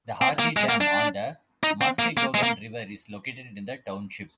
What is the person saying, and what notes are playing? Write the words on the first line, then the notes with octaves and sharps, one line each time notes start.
The Hardy Dam on the Muskegon River is located in the township.
C4
A#3
G#3
A#3
D4
D#4
C4
A#3
A#3
G#3
A#3